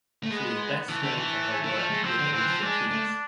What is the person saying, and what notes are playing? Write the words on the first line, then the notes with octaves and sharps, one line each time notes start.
She is best known for her work with Alicia Keys.
A3
G#3 B3
E3 A3
D3
E3
E3
F3 A3
G#3
F3 C4
D3
E3 C4
F3
G#3 D4
A3